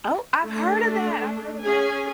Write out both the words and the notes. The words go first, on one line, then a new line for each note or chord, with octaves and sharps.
Oh, I've heard of that! I've heard of that.
A3 D4
C#4 G#4 G#5